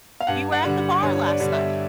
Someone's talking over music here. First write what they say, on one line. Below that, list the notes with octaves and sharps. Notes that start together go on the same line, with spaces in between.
"You were at the bar last night.
F5
G2 F#5
F#5
D3 G3
G2 C#5
D5
D3 G3
E5